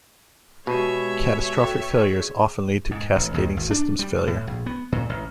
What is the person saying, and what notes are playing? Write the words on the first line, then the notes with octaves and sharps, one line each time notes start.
Catastrophic failures often lead to cascading systems failure.
B2 G#3 B3 G4 C#5 E5
F#4 A4 G5
G#4
G#2
A1
D#2
G#1
D4
G3
A2
A#1
B3
A#2
A1